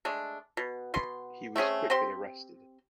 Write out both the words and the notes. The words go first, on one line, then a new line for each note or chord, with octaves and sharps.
He was quickly arrested.
G#3 A3 D4
B2
B2 C6
A3 C4 C#4 G#4
C4 G4 C5 C6